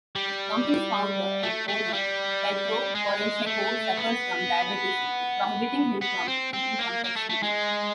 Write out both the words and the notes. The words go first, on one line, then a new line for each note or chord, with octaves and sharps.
Company's founder and owner Petro Poroshenko suffers from diabetes prohibiting him from eating confectionery.
G3
A3
A3
G3
G#3
A3
B3
B3
C4
C4
A#3
A#3
A3
A3
G#3